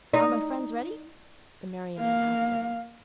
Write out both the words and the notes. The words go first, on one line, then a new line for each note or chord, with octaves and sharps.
"Are my friends ready?" the Marionette asked him.
D#4
A#3 F5